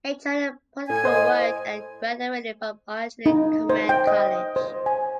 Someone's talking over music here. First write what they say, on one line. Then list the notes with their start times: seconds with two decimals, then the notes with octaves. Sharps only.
Majored in political work and graduated from Artillery Command College.
0.88 A2 G#5
1.05 C5 D#5
3.26 D#4
3.70 C5
3.89 G5
4.07 D#5
4.56 C5
4.86 G#5